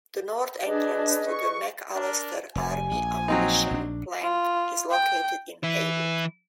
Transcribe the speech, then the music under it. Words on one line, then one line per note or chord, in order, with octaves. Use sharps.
The north entrance to the McAlester Army Ammunition Plant is located in Haywood.
D4 G#4 B4 D#5
C#6
D4 A#4
F1 G#5
A#1
F#3 C4 D#4
A#1 D4
F4
G5
E3 E4